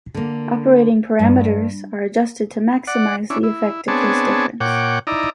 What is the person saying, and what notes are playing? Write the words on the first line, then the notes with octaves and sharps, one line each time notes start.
Operating parameters are adjusted to maximize the effect of this difference.
D3 A#3
G2
D5 F#5
C#4 D4 E4
E4
B3 C4 D4 G#4 C#5 A5
A#2 C#5 F#5 G5 D6
D#4 E4 D5 A#5